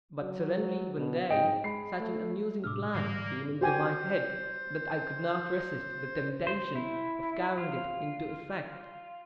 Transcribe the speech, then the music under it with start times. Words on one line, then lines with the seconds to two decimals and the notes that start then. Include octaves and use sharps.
But suddenly one day such an amusing plan came into my head, that I could not resist the temptation of carrying it into effect.
0.22 F#3
0.97 B2
1.30 G#2 D#5 G5 D7
1.64 G#3 B5 C7
1.99 A3
2.64 A2 C3 D4 D6 E6 F6
2.93 G#2 D3 E3 G3 A#3
3.61 F#4 G4 C5 G#5
6.47 C5
6.75 E4
7.58 F4